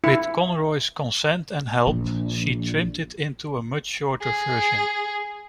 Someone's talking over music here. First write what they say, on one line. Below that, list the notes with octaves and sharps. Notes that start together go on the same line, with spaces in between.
With Conroy's consent and help, she trimmed it into a much shorter version.
E4
A#1
G#4